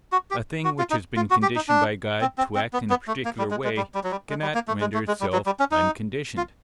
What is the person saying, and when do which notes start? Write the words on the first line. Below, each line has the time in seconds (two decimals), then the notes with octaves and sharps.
A thing, which has been conditioned by God to act in a particular way, cannot render itself unconditioned.
0.12 F#4
0.31 G4
0.65 F#4
0.78 F4
0.91 D#4
1.16 F4
1.30 F#4
1.42 G4
1.56 D#4
1.68 D4
2.21 C4
2.38 C4
2.55 C4
2.73 B3
2.90 B3
3.08 A3
3.25 A#3
3.38 G3
3.51 G#3
3.64 G#3
3.77 G3
3.95 G3
4.04 F#3
4.11 G3
4.30 G#3
4.42 G3
4.54 A#3
4.68 A3
4.80 G#3
4.94 A3
5.08 G#3
5.21 G3
5.33 F#3
5.46 G3
5.59 C#4
5.71 D#4
6.37 F4